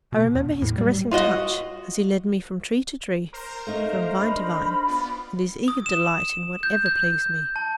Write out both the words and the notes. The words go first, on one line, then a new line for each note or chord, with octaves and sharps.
I remember his caressing touch as he led me from tree to tree, from vine to vine, and his eager delight in whatever pleased me.
B2
E2
A2
G3
F4 F#4 D#5 F#5
A#4 C5 A#5
A3 A#3 D#4
D4 D#4 B5
B3 F4 D5
D#6
E7
G6
G6
A5